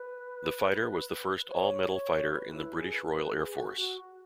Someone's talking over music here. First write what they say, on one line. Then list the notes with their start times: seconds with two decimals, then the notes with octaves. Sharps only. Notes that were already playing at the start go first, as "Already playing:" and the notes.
The fighter was the first all-metal fighter in the British Royal Air Force.
Already playing: B4
1.49 C#5
1.91 C#5
2.32 B4
2.53 E4
2.74 G#4
2.93 B4
3.14 B4
3.35 G#4
3.48 G#4
3.56 F#4
3.76 F#4